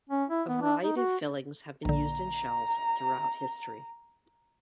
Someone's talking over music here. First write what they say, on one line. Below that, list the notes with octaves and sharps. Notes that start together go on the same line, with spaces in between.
A variety of fillings have been used in shells throughout history.
C#4
E4
B3
D4
D#4
F#4
A#1 D3 A#5